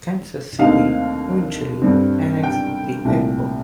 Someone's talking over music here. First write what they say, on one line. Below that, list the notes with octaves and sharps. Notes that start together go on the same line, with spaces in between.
Kansas City eventually annexed the airport.
D#2 D3 A3 C4 D#4 F5
G2 D3 G3 C4
G5
C2 A#2 A3